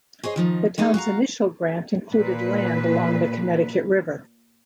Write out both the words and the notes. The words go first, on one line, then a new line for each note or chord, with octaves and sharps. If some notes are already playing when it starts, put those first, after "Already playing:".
The town's initial grant included land along the Connecticut River.
G#4 C5 C#5 D#5
D#3 F3 D#4
G#3 B3 D#4 G#4
F#4 F5 G5 A#5
A#2 B4